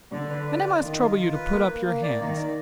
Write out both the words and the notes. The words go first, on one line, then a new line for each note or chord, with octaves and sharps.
And--I must trouble you to put up your hands.
D3 D5
B4
D5
F4
D#3 F4
F4
F4
B4
A#3
A#3
A#3
D5
D#3 A#3
D5